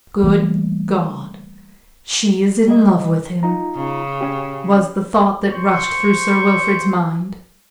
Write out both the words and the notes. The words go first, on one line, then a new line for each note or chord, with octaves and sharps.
"Good God! she is in love with him!" was the thought that rushed through Sir Wilfrid's mind.
E3 G3 A3 A#3
G3 D#5
D#4 F4 A#5
C#3
C#4 G4
C5 C#6